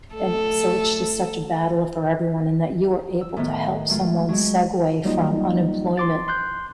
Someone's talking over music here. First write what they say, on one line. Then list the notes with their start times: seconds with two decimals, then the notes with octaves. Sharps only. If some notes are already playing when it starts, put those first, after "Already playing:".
and so, it's just such a battle for everyone, and that you are able to help someone segue from unemployment
0.13 A3 A4
3.21 E6
3.37 A2 D#3 B3
3.89 F#3 G#3 A3 F4
4.29 F#3 G#3
5.05 F#3 G3 A#3 D#4 F4 D#5
5.98 C6 D6 A6
6.28 C6 F#6 G6